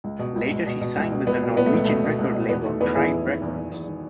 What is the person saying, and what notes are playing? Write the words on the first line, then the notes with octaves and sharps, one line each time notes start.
Later she signed with the Norwegian record label Tribe Records.
C#2
B2
C#2
C#2
B2
B2
C#2
B2
C#2 B3
B2
B2 B3
A3
C#2
B2 A3
B2
C#2
B2
E2 B3
D#3 A3
E2 B3
E2 E4 G#4
E2
D#3
E2
D#3
E2
D#3